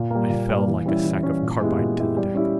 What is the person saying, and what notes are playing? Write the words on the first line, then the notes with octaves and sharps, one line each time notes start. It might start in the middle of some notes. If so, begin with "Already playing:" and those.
I fell like a sack of carbide to the deck.
Already playing: A#2
G3 A#3
A#2
G3 A#3
E3
G3 C#4 E4
E3
G3 C#4 E4
A#2
G#3 B3 E4 G4
A#2
G#3 B3 E4 G4
G3
C#4 E4 G4